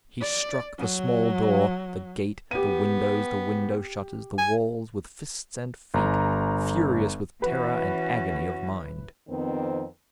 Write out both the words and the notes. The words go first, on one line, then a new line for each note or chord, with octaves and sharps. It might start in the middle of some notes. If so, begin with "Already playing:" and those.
He struck the small door, the gate, the windows, the window-shutters, the walls, with fists and feet, furious with terror and agony of mind.
D5
F#3
B3 G4 D#7
G#5
G1 A#5
E3 C#4 F#4 B4
F2 D#3 B3 C4